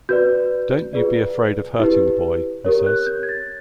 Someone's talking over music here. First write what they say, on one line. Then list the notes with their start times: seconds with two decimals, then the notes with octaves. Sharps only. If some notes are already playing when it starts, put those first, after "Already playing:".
"Don't you be afraid of hurting the boy," he says.
0.09 F#4 B4 D5 G6
0.93 F4 G#4 B4 D5
1.79 E4 G4 B4
2.65 G4 A#4 C#5
2.86 F#6
3.07 G6
3.23 G#6
3.29 A6